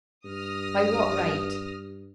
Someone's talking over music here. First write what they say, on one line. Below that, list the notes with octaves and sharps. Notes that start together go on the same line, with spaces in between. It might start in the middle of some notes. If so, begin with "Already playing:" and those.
By what right?
G2 D#6 F6 A#6